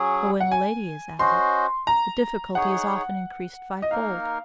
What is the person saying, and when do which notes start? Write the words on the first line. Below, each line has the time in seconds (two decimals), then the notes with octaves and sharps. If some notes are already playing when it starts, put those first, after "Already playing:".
But when a lady is added, the difficulty is often increased fivefold.
Already playing: F#3 C#4 G#4
0.40 F#5
0.52 G#5
1.19 C#4 F#4 C5 D#5 C6
1.87 A#5
2.55 D#4 G#4 C#5 F#5
3.82 D#5
3.91 A#3 D#4 A#4 F5